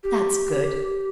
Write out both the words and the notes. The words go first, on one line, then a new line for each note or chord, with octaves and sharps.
That's good.
G4